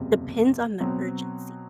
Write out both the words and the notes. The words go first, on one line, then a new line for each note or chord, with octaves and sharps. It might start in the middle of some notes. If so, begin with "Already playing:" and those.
depends on the urgency
Already playing: F#1 E2 C3
B2 F#3 C4